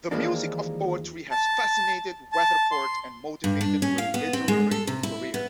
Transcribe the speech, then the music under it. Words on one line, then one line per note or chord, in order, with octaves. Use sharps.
The music of poetry has fascinated Weatherford and motivated her literary career.
D#2 E3 F3 G#3 A#3 D4
A5
A5
C6
G2
D4
C#4
F5
B3
C4
G#3
A4
C3
E4
B3